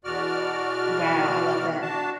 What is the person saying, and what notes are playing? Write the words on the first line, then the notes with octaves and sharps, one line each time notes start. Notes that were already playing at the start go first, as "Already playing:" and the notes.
wow, I love that.
E2 B2 F#4 D5 F6
D4 F#4 A5